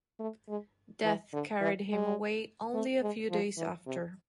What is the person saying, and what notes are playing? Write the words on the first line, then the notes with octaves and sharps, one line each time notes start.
Death carried him away only a few days after.
A3
G#3
E3
D3
E3
G#3
A3
G#3
F3
E3
C3